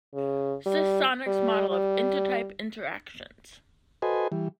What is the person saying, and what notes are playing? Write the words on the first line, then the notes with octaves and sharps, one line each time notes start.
Socionics model of intertype interactions.
C#3
G3
G3
G3
F#4 A4 B4 C5 D#5 G#5
E3 G3